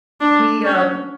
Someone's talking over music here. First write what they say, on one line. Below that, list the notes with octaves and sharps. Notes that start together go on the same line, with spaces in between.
We, um
D4
C#4